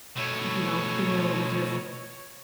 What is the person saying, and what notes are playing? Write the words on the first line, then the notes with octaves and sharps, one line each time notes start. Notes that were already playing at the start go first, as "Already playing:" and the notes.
y you know, being able to just
B2 A3 C#5